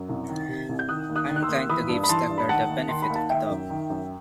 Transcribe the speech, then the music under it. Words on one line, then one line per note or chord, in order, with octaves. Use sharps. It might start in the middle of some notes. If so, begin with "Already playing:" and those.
I'm inclined to give Steckler the benefit of the doubt.
Already playing: F#2
C2
D#3
C3
C2
G6
D#3 D#6 F#6
D#2
D#6 F#6
D#3
F#6
C6 E6
D#2
E3 B5 D#6
G2
B5
E3 A5 C6
G2
B5
D#3 F#5 A5
D#2
D#3 C6
B5
D#2
A5
D#3 E5 G5
F#2
D#3
F#2